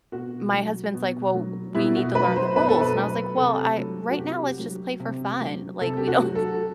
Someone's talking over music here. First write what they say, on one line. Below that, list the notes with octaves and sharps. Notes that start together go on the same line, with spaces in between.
my husband's like, "Well, we need to learn the rules." And I was like, "Well, I right now, let's just play for fun. Like, we don't
B2 F#4
F#3
B2
F#3
B2 E4
F#4
F#3 B4
C5
B2 B4
A4
B4
F#3
C3 A4
F#3
F#4
C3 G4
F#3
C3
F#3
C3 A4
G4
F#4
F#3
A4